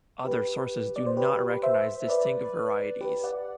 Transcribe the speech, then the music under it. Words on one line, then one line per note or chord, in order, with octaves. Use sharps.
Other sources do not recognize distinct varieties.
G4 B4
D5
C5
G4 B4
C5 E5
B4 D5
G4 B4
D5 F#5